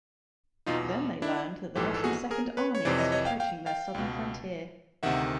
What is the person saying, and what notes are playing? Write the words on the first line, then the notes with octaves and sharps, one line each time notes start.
Then they learned that the Russian Second Army was approaching their southern frontier.
E2 B2 D#4 F4
D4 E4
A#1 G#2 E3 G4 A4
A4
F#4 G#4
G#4 A#4
B4 C#5
C#5
F2 C3 E3 C5 D5
C#5 D#5
C#5 D#5
F5 G5
F5 G5
F5 G5
C#2 B2
D2 C3 D#3 E5 F#5